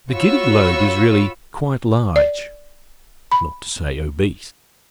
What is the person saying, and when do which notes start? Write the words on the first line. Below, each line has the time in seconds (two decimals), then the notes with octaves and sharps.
The Giddy Globe is really quite large, not to say obese.
0.13 F4 F#4 C#5 B5 C#6 E6
2.16 D5
3.32 B5